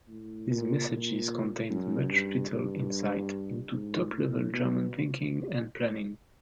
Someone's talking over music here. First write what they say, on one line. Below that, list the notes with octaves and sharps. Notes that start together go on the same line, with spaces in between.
These messages contained much vital insight into top-level German thinking and planning.
A2
A#2
A#2
F#2
G2
G2
G#2
A2
B2